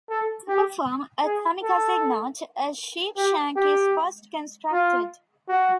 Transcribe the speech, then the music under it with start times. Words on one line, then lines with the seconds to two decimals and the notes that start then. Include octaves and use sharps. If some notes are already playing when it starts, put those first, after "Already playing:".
To perform a kamikaze knot, a sheepshank is first constructed.
0.10 A4
0.49 G4
1.25 G#4
1.63 A4
3.18 G4
3.56 G4
4.72 F4
5.49 F#4